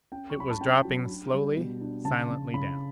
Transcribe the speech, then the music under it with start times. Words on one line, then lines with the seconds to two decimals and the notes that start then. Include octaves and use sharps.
It was dropping slowly, silently down.
0.12 C#4 G5
0.30 C#6
0.36 F#3 B5
0.50 A5
0.60 C#4 G5
0.85 F#3
1.08 D4
1.33 G3
1.57 B2
1.81 D4
2.05 C#3 A5
2.30 C#3
2.54 C#3 B5